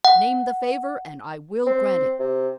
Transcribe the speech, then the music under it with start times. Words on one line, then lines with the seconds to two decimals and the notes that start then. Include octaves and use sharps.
"Name the favor and I will grant it."
0.05 F#5
1.66 C4
2.19 C3